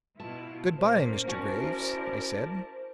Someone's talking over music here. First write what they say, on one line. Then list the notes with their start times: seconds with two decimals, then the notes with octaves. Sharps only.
"Good-bye, Mr. Graves!" I said.
0.20 B2 E4 F4 A5
0.78 A#2 A#3 C#4 C5
1.27 C#4 E4 F#4 A#4 D5 A5